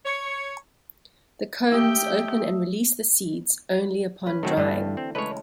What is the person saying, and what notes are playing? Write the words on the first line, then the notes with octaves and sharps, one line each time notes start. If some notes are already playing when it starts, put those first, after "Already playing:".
The cones open and release the seeds only upon drying.
C#5
A3 G4 G5 D#6 E6
C#4 B4
D#3 F#3 A3 C4 F#4
G2 D3 E3
C4
C#3 G#3 A3 B4 C#5